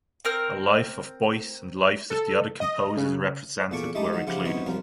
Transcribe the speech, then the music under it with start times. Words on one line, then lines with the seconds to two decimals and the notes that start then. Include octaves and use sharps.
A life of Boyce and lives of the other composers represented were included.
0.25 C4 A#4 F6
2.10 A4
2.60 D#5
2.97 C#3
3.71 E2 A#2 A4 C#6 D6
3.95 G#3 A3 D#4 E4 G4 A4
4.12 D#3 F#3 D#4
4.27 C#3 F3 E4 F4 G4 F#5
4.45 F#2 B3 C4 D#4 C#5
4.66 C2 F#2 F3 A#4